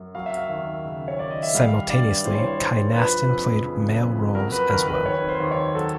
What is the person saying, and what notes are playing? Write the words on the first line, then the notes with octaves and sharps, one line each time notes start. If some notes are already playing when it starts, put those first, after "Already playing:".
Simultaneously, Kynaston played male roles as well.
Already playing: F#2
F#3 F5
E5
F5
D#2
C#3
C#5
D#2 D5
D#5
E5
G3 F5
G2 D5
E3 C5
C#5
C5
G2
F3 B4
F2
C#3
F2
F#3 A#4
B4
D#2 A#4
B4
D#3 C#5
C5
D#2
C#5
F#3 A4